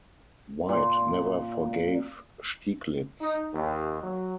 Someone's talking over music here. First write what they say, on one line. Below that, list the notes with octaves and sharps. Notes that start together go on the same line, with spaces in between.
White never forgave Stieglitz.
A#2
D#4
D#2
F#3